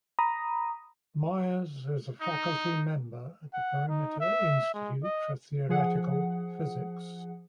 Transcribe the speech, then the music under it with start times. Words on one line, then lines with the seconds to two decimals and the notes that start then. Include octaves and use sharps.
Myers is faculty member at the Perimeter Institute for Theoretical Physics.
0.19 A#5 B5 D#6
2.20 D#4
3.54 F#5
3.89 D#4
4.20 E5
4.74 G#3
5.03 D#5
5.69 F3 G#4 F#5